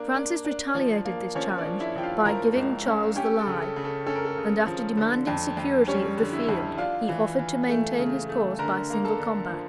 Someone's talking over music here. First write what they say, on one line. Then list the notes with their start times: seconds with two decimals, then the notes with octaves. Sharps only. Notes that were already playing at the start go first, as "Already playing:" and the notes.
Francis retaliated this challenge, by giving Charles the lie; and, after demanding security of the field, he offered to maintain his cause by single combat.
Already playing: A#3 D4 A#4
0.14 D4
0.45 D4
0.75 F3
1.05 A#3
1.35 F3 C#4 C#5
1.58 D4 D5
1.65 F3
1.80 E4 E5
1.96 F3 G5
2.03 F4 F5
2.25 F3 A#4 A#5
2.55 C#2
2.86 C#4
3.16 C#4 G4 G5
3.39 A4
3.47 C#3
3.61 A4
3.76 C#3
3.84 A4
4.06 C#4 A4
4.16 A#4
4.25 A4
4.37 C#3
4.67 F3
4.97 D3
5.27 F2
5.57 F2
5.88 G3 C#4 C#5
6.18 D3
6.33 E4 E5
6.49 F2
6.78 D4 F4 F5
7.09 E3
7.39 E3
7.69 A3
7.99 C#3
8.29 A3
8.59 D3 A#4 A#5
8.90 A#3 A#5
9.05 A4 A5
9.20 D3
9.49 F3